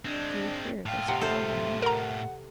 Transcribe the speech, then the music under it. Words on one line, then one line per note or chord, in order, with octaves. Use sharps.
Do you hear, there's a bell ringing?
G#3 C4 D4
A2 F4 G5
C3 F#5
A4 C5 E5
A#4 F#5 A#5